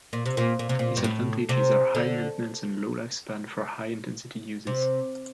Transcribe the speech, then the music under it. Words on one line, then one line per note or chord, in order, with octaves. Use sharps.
Disadvantages are high maintenance and low life-span for high intensity uses.
A#2
C3
A#2
A#2
C3
A#2
G2
A2
C3
D3
C3